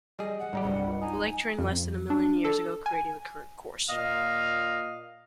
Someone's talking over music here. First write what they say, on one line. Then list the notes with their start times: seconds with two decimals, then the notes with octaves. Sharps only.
The lake drained less than a million years ago, creating the current course.
0.19 G3 G#4 D#5
0.40 F#5
0.53 G#2 G3 D#4 G4
0.65 C2 G2
0.86 C#2
1.01 D#4 G#5
1.58 F2
2.10 D4
2.45 A4
2.86 G#5
3.90 A#2 D#5 F5